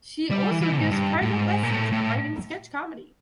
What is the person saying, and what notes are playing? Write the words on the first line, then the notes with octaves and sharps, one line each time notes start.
She also gives private lessons on writing sketch comedy.
G3
E3
E3
D3
G#2
G2
A2
G#2
A#2
A2
A2